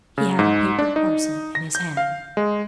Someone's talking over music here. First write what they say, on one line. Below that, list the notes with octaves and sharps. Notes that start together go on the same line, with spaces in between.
He had a paper parcel in his hand.
C#3
G#2
D4
D#4
A#6
G6
F5
G#3